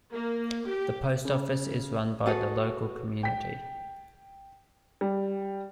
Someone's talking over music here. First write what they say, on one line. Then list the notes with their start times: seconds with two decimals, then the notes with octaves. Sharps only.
The Post Office is run by the local community.
0.12 A#3
0.66 G4
1.25 C#3
2.26 F#4 G#4 A4 B4 F#5
3.23 G5 B6
5.01 G3